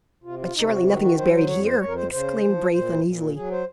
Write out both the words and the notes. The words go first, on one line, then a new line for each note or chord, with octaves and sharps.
"But surely nothing is buried here?" exclaimed Braith uneasily.
C3 F4
F4
C3 D#4
F#4
D#3 F#4
F#4
F#3 C5
C5
F2 C#5
C5
F2 C#5
A#4
C5
C#3 C5
F3
A#2 C5
A#2
F#3 G#4
C5